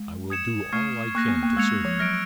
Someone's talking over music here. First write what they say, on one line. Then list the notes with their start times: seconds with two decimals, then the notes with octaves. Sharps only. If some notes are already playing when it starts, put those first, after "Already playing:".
I will do all I can to serve you.
Already playing: G#3
0.30 D#6 G#6 C#7 E7
0.72 A3 C#6 F6 G#6 C7
1.15 A#3 C#6 F#6 A#6
1.28 B3
1.43 A#3
1.57 G#3 E6 G#6 C#7 F7
1.85 F3
1.99 F#3 F6 A#6 D7